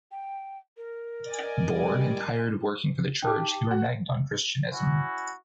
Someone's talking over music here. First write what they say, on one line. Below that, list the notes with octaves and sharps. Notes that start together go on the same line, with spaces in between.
Bored and tired of working for the church, he reneged on Christianism.
G5
A#4
D5 D#5 G#5
G3
D#4 G4 G5 A5 D6
F#4
C#4 E4 F#4